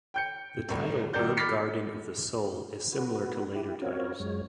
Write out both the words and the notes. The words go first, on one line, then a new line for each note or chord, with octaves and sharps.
The title, "Herb garden of the Soul", is similar to later titles.
G5 G6 C#7
C2 A2
C2 B2 D#3 D5 G6
B5 D6 F6 A6 B6 C7
F#4 B4
E4 G4
C4 C#4 F4 F#4 A#4 C#5
F#2 G#3 C#5